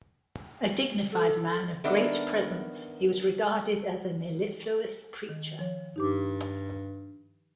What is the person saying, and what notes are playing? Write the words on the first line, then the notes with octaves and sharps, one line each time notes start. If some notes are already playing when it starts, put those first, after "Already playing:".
A dignified man of great presence, he was regarded as a mellifluous preacher.
A4
D#3 B3 D4 A4 E5
D#3
F3 C#5
G2 D#4 G4 D6